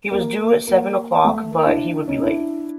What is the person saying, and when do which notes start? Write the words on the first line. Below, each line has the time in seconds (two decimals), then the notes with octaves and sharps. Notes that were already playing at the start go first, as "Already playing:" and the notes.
He was due at seven o’clock, but he would be late.
0.11 A#3
0.67 A#3
1.24 A3
1.52 A#3
1.66 D4 E4
2.08 C#4 D#4
2.22 D4 E4